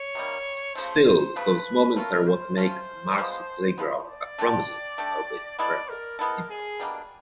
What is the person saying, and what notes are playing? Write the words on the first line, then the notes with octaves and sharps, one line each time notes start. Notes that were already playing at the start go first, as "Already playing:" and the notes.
Still, those moments are what make "Marcy Playground" a promising, albeit imperfect, debut.
Already playing: C#5
C3 D#3 G3 A#3
C#3 F3 A3 C5
C5
C#3 F3 A3 B4
A3 C#4 F4 A#4
C5
A3 C#4 F4 C5
F3 G#3 B3
F3 G#3 B3
D5
A3 D4 G4
A3 D4 G4
G#3 B3 E4 A4 D5
A#4
G#3 B3 E4 A4 A#4
G#4
B2 G3 A#3 D4